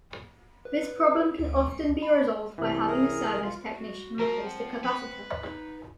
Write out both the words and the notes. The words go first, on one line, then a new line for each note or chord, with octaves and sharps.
This problem can often be resolved by having a service technician replace the capacitor.
B4
D2
C#2
B5
C2 E3
G#4 A#4 F6
F4
F#4
F3 A#4
C4 F#5
B4
D#4